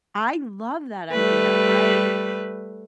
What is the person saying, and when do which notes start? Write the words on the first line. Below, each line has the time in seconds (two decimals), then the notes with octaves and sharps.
I love that idea, I
1.12 G3 A3 B4